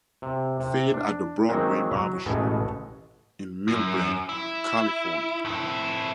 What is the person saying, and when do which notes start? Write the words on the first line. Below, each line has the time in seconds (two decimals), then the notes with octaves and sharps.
Fade at the Broadway Barbershop in Millbrae, California.
0.22 C3
0.60 C3
0.94 D4
1.49 D#3 F#3 G#3 A#3 C4 F#4
1.91 F#3
2.26 A1 B2 G#3 B3 A4 G#5
3.68 F#2
4.29 E4
5.45 F2 E4